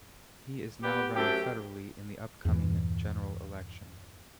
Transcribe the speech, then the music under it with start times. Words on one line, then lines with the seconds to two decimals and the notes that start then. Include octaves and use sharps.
He is now running federally in the upcoming general election.
0.83 B3 G4
1.15 F#2 C3 A3 G4 A4 G5
2.45 E2 G2 A#2 E3